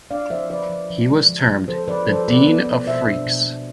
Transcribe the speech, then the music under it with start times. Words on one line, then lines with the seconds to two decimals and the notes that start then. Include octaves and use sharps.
He was termed "The Dean of Freaks".
0.11 D4 D5 F5
0.30 F3 C5 E5
0.50 F3 B4 D5
0.69 F3
0.90 F3
1.10 G#3
1.29 F3
1.49 F3
1.68 F3 A4 C5
1.88 F3 B4 D5
2.08 F3 A4 C5
2.28 B3 B4 D5
2.48 B3
2.67 B3
2.87 B2 C5 E5
3.06 D4
3.26 B2
3.46 B3